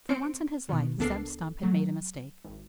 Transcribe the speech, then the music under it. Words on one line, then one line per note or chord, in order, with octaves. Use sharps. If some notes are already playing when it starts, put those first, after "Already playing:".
For once in his life, Zeb Stump had made a mistake.
C4 C6 C#7 D7
B2 D#3
C#2 B3 D4 A4 A#4 C7
F#3 A3
G#1